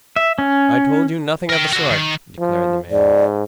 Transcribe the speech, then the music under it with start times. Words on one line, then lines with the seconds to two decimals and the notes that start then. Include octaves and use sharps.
"I told you nothing of the sort!" declared the man.
0.16 E5
0.39 C#4
1.49 A#4 G5
1.73 D3 F#4
1.91 D#3
2.39 F3
2.90 G#2 D5